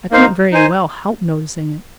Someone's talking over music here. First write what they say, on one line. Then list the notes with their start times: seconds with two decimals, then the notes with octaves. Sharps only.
"I couldn't very well help noticing it."
0.11 A#3 D#4 C5 F5
0.52 D#4 C5 G#5